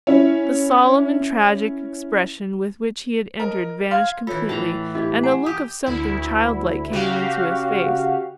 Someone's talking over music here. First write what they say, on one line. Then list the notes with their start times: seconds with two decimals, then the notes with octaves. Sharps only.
The solemn and tragic expression with which he had entered vanished completely, and a look of something childlike came into his face.
0.07 C#4 E4
3.40 A#4 D#5
3.91 F5 C6 G#6
4.27 E3 F4 A4 C#5 E5
4.49 A2 E3 A5 A#5
4.95 E4 G4 D#5
5.23 F#5 G#5 A#5
5.46 G4 D#6
5.86 D2 E4
6.91 C#3 F#4 G4 F5